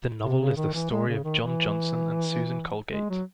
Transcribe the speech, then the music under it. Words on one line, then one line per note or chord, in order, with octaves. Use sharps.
The novel is the story of John Johnson and Susan Colgate.
C3
C#3
D#3
E3
G#3
C#3
D#3
E3
G#3
F#3